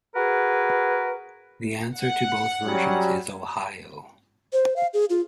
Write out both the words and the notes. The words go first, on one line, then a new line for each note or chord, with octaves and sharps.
The answer to both versions is 'Ohio'.
F#4 G#4 A#4 B4
F#5
F#3 G3 C#4
C5
F5
G#4
F4